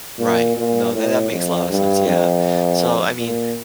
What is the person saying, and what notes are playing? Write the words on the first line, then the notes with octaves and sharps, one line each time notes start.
Right. No, that that makes a lotta sense, yeah. So, I mean
A#2
A#2
A2
F2
G2
F2
A#2